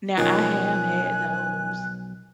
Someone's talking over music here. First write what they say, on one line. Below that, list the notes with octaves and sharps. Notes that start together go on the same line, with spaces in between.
Now I have had those.
B1 D#3 F3 C#4 F4 G#5 F#6